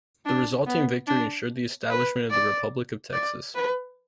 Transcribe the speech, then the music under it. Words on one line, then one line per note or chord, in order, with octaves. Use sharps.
The resulting victory ensured the establishment of the Republic of Texas.
D4
B3
D4
B4
D5
D5
B4